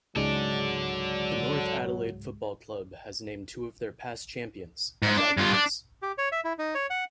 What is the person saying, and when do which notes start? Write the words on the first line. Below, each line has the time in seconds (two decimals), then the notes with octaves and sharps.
The North Adelaide Football Club has named two of their past champions as Icons.
0.16 C#2 G#2 F#3 G#3 A4 D5
5.02 G#2
5.17 D4
5.37 G2 F4
5.53 D4
6.02 G4
6.18 C#5
6.32 E5
6.45 E4
6.59 D#4
6.75 C#5
6.90 F#5